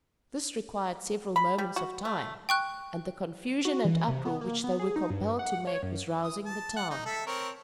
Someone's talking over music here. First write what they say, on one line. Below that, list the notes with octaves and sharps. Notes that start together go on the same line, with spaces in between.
This required several moments of time, and the confusion and uproar which they were compelled to make was rousing the town.
B5
G3
F#4
A3
G5 C#6 F#6
F#4
E3
C3
B3
A#3
B3
G#4
D#4
G2
F#5
C#5
F#2
D#6
A5
F#5
D#4
A4 E5
C4 A#4 C#5